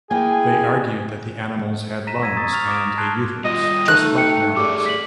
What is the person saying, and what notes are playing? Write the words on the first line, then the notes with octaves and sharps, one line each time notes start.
They argued that the animals had lungs and a uterus, just like mammals.
A#3 E4 G#4 G5 G#5
A#5 A#6 B6 D#7 E7
E6 G#6 B6 D#7
A#5 C#6 D#6 E6 G#6 A6
C#6 F6 F7
D6 D#6 F6 A#6 D7 E7
A5 C6 F#6 G#6 C7 D7
G3 F4 D#5
A3 D#4 F#6
G5 C#7
G4 G#4 D5 D6
B6 F#7